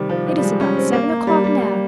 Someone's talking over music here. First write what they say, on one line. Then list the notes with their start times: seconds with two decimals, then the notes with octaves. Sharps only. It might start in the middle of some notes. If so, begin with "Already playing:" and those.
It is about seven o'clock now.
Already playing: C3 D#3 G3
0.09 F3
0.27 F3
0.38 G3
0.43 G#3
0.61 C#4
0.77 C4
0.93 A#3
1.10 A#3
1.27 G3
1.44 G3
1.61 G3